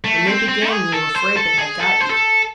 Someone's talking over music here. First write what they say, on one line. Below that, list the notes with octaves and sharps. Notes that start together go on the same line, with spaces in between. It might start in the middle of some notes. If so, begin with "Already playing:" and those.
When they began we were afraid they had got you.
A3
C4
C4
G#4
A4
C5
A4
G#4
A4
C5
A4